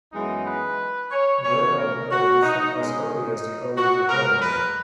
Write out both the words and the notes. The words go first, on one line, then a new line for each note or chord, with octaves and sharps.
They are known from as early as the Early Devonian.
F#2 E3 G#3 B3 D#4
B4
C#5
B2 A#3 C#4 C#5
A#4
F#4
D#4
B2 G#3 C#4
D#4
F#4
A#2 G#3 B3 A#4
B4